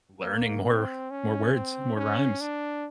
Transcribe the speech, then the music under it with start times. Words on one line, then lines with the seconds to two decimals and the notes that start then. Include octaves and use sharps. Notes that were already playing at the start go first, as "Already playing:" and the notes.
learning more more words, more rhymes.
0.23 A#3
0.67 C4
1.10 C#4
1.53 C4
1.97 C#4
2.40 D4